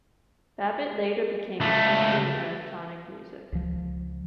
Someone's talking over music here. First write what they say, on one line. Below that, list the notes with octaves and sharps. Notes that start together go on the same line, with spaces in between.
Babbitt later became interested in electronic music.
C#2 A3
C#2 F3